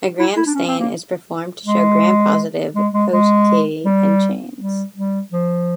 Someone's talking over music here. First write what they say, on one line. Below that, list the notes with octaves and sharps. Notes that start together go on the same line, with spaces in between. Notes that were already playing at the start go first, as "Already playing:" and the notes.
A Gram stain is performed to show Gram-positive cocci in chains.
E4
E4
D4
C#4
C4
A#3
G#3
G#3
G#3
G#3
G3
G3
G3
F3